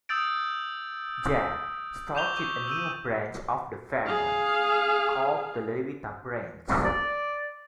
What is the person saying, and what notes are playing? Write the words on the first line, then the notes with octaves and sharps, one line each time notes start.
Jan started a new branch of the family, called the "Leliwita branch".
D#6 E6 G6 A6 D7
C#6 D6 G6 F7 G7
C#6
E6 G6 D#7
G#4 F5
D5